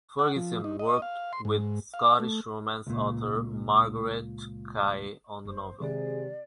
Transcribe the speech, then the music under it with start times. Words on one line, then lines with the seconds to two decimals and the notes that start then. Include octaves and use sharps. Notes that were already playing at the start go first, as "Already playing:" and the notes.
Ferguson worked with Scottish romance author Marguerite Kaye on the novel.
0.19 F#5
0.36 F3
0.64 D#4
0.79 D#5
1.02 F5
1.33 C6
1.45 G#2
1.94 F5
2.20 A3
2.87 C#2 A#2
5.45 F#1 C5
5.80 C3 D#3 G#3 G#4 D5